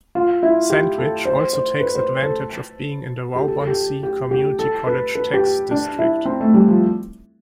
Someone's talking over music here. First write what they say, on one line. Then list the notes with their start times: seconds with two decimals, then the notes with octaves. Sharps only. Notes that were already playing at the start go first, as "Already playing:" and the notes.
Sandwich also takes advantage of being in the Waubonsee Community College tax district.
0.15 F4
0.43 E4
0.70 G4
0.98 A4
1.25 C5
1.53 C5
1.81 B4
1.95 C5
2.23 A4
3.36 G4
3.48 A4
3.62 A4
3.67 G4
4.03 G4
4.31 G4
4.59 A4
4.87 B4
5.15 B4
5.34 G4
5.71 D4
5.99 E4
6.25 C4
6.41 A3
6.54 G3
6.68 F3